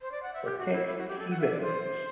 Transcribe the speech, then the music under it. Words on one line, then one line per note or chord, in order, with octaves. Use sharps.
For text see reference.
C5
D5
F#5
E5
G4
F#4
E4
E4
F#4
G4
A4
F#5
E5
D5
C5